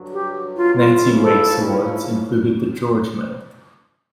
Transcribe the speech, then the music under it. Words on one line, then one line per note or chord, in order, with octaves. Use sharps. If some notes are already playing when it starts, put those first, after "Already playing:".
Nancy Wake's awards included the George Medal.
Already playing: G2 D3 F#3
G4
F4
G#2 F3 A#3 C#4 E4 F4
A4